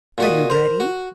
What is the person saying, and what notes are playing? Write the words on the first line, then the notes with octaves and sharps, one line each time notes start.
"Are you ready?"
A#2 F#4 D#5
A#4 C5
F#4